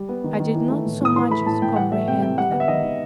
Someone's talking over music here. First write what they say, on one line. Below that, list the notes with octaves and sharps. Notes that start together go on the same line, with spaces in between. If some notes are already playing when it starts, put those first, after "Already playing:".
I did not so much as comprehend them.
Already playing: G3
B3
D#3
D#3
E3
A3
A2
A2 D#6
E3 C6
A3 B5
A2 A5
A2 G5
E3 F#5
A3 E5
C3 G5
C3 G5
G3 F#5
B3 F#5
E5
D#3 D#5
D#3